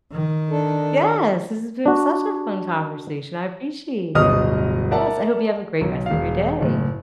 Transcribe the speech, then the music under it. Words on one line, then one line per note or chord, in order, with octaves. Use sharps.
Yes! This has been such a fun conversation, I appreciate it. Yes, I hope you have a great rest of your day.
D#3
D4 A4
D4 F#4
D1 G1 B2 D#5 D#6 F6
A#4 D5 E5 F#5 A5
B1
E1 F5
F#1 A2